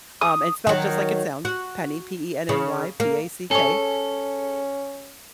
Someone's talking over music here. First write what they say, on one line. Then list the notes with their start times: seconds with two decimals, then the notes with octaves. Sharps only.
Um, and spelled just like it sounds, Penny, P-E-N-N-Y P-A-C-K,
0.21 D#6
0.67 D#3 F#3
1.45 F#4
2.49 C#3
3.00 A#3
3.51 C#4 G#4 A4 C#5